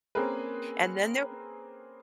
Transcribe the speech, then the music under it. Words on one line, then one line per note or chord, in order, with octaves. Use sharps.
and then there
A#3 C4 C#4 G#4 A#4 B4